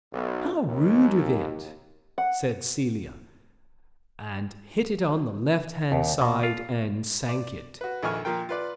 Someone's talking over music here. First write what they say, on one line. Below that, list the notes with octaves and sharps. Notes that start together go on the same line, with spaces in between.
"How rude of it," said Celia, and hit it on the left-hand side, and sank it.
B1
D#2
F#5
D#2
B2
F4
D5
F#4 B4
A#1 F2 D#3 G#5 C#6 F6
A#2 F3 F4 A#4 G5
F4 B4 D5